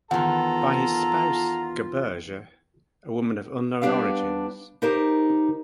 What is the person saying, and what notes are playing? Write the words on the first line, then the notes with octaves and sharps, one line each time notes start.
By his spouse, Gerberge, a woman of unknown origins.
E2 D#3 F4 A4 F#5 A#5
G3 B3 D4 G4 F5
D#4 G4 A#4 C5 D#5